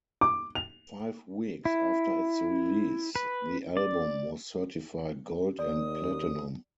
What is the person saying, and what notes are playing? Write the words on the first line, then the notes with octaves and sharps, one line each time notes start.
Five weeks after its release, the album was certified gold and platinum.
D6
F7
E4
B4
D5
D#2 D5 D#6